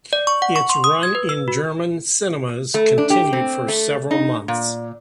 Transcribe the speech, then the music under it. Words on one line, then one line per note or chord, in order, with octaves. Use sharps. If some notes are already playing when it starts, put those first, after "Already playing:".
Its run in German cinemas continued for several months.
D5
C#6
F#5
C#6
C6
D#6
G#6
B4
E6
F#4
A3
D4
G4
C4
A3
D#4
A#2